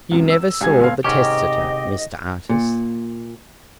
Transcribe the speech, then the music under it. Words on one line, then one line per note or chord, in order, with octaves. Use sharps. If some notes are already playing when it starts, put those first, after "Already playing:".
"You never saw the testator, Mr Artis?"
C#2 F#2 C3
E6
C#2 G3 G#5 G#6
G1 B3 F5
G#2 C3 D#3 C#4 G4 D#5
A#2